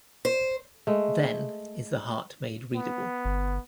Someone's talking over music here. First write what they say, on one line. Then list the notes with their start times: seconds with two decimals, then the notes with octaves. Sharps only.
Then is the heart made readable.
0.25 C5
0.87 G#3 A3
2.75 B3
3.25 G1